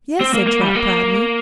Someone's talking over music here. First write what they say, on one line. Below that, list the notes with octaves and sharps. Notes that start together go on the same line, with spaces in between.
"Yes," said Trot, proudly.
C4
A#3
A#3
G3
A#3